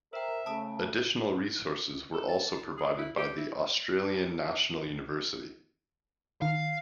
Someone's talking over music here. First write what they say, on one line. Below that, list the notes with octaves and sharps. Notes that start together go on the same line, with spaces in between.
Additional resources were also provided by The Australian National University.
A#4 C5 E5 G5
C#3 A3 A5 D#6
A4
A5
G#4
E4
G4
E4
D#3 F5